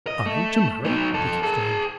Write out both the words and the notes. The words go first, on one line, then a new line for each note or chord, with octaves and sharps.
"I to marry!" Dick exclaimed.
D#5
A3
F#3 D#4
F2 A4
G#4 A5